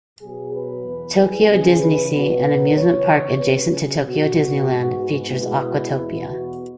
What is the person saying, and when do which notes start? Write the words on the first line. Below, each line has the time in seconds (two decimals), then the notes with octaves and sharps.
Tokyo DisneySea, an amusement park adjacent to Tokyo Disneyland, features Aquatopia.
0.21 B2 F#3 B3 G#4
0.53 B4
0.85 E2 E3 B3
1.17 G#4
1.49 C#3 E3 C#4
1.80 B4
2.12 B2 F#3 B3 B4
2.76 C#3 E3 B3 C#5
3.40 C#3 F#3 C#4 B4
3.73 G#4
4.04 B2 B3 F#4
4.36 F#4
4.68 G#2 G#3 B3
5.00 F#4
5.31 B2 G#3 B3 E4
5.96 E2 B2 B3
6.28 F#4